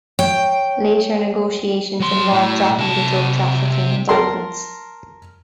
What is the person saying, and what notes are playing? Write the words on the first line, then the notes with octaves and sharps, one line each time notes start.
Later negotiations involved dropping the drug-trafficking indictments.
C#5 G5
F#3 C6
A2
C3 A5
A#4 A5 C6